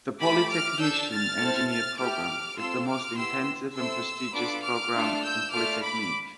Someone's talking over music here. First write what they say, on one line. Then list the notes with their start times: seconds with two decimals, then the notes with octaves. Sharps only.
The Polytechnicien engineer program is the most intensive and prestigious program in Polytechnique.
0.20 A3 E4 G4 B5 D6
0.50 D6 F6
0.80 D4 A4 E6 G6
1.09 F6 A6
1.39 C4 E4 A4
1.69 F6 A6
1.98 A3 E4 G4 D6 F6
2.57 C4 F4 A4 C6 E6
2.87 D6 F6
3.16 B3 E4 G4 C6 E6
3.75 C4 E4 A4 C6 E6
4.34 B3 D4 F4 A4 B5 D6
4.64 D6 F6
4.94 A3 D4 F4 A4
5.24 E6 G6
5.53 A3 D4 F4 A4 D6 F6
5.83 B5 D6